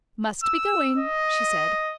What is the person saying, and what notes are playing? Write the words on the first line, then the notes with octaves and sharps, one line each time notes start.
"Must be going," she said.
E6
D#5